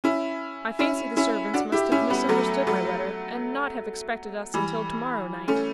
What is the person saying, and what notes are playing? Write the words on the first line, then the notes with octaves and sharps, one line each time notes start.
"I fancy the servants must have misunderstood my letter, and not have expected us until to-morrow night."
C#4 E4
C#4 E4
C#4 E4
D4 F#4
E4 G4
C#4 E4
G3 B3
F#3 A3
F#3 A3
E3 G3
A3 C#4